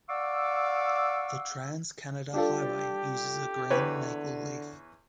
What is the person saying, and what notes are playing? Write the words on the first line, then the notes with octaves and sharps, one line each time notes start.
The Trans Canada Highway uses a green maple leaf.
D5 F5 F#5 C#6 D6 E6
G3 D4 F4 G4 A4
E2 D3 B4 C#5